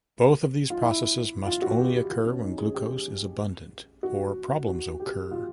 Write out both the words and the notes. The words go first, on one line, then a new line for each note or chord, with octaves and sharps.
Both of these processes must only occur when glucose is abundant, or problems occur.
F4
E4
F4
F#4
G4
F#4
F4
C#4
D#4
G#4
G4
F#4
F#4
G4
F4